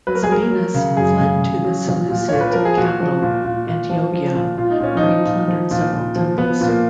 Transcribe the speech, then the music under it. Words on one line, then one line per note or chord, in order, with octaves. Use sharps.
Zabinas fled to the Seleucid capital Antiochia, where he plundered several temples.
F#3 B4
A#4
G#4
F#3 A#4
F#3
C#3
F#2 G#4
C#3
C#3
F#3
A#2
A#2
A#2 C#5
B4
F3 A#4
G#4
A#2 F#4
F3
A#2
A#2
A#2
F3
F3
A#2
A#2 F4
D#4
A#2 C#4
D#4
F3
A#2
F3
A#2
A#2
F3
F3 B3
A#2
A#3